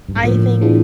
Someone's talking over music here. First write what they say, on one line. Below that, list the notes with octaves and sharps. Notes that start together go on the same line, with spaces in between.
I think,
G2
G#2
A2 D3 F3 A#3
E3 G#3 B3 D4 F4